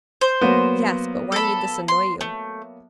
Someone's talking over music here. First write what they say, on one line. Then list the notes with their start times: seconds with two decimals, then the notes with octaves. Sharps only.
"Yes; but why need this annoy you?"
0.21 C5
0.41 F#3 A#3 B3
1.32 A4 B5
1.88 C6
2.21 A3